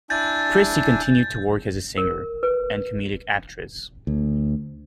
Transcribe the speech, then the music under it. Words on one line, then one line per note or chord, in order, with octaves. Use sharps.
Christie continued to work as a singer and comedic actress.
D4 E4 G#5 G6 A6
A#4
B4
D2